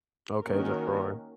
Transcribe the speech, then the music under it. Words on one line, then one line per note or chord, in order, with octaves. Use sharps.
Okay, just roar.
D#3 A#3 C#4 F#4 A#4